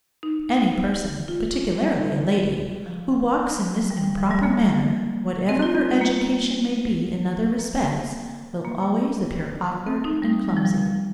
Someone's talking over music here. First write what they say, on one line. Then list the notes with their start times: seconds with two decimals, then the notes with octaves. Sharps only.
Any person, particularly a lady, who walks in this improper manner, whatever her education may be in other respects, will always appear awkward and clumsy.
0.23 D#4
1.28 F4
1.81 G3
2.86 F3
3.90 G3
4.04 G3
4.18 F3
4.31 G3
4.43 A#3
5.49 C4
5.62 F4
5.75 C4
5.89 G3
6.01 A#3
7.59 A#3
8.65 A#3
9.87 C4
10.05 D#4
10.22 G3
10.49 G3
10.57 F3
10.65 G3